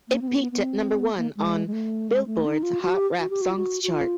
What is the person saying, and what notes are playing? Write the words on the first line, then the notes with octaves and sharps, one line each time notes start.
It peaked at number one on "Billboard"s Hot Rap Songs chart.
A#3
C4
B3
B3
B3
C4
B3
A#3
G#3
G#3
A3
G#3
A3
D#4
F4
F#4
G4
F#4
G4
F#4
F4
F#4
F#4
F4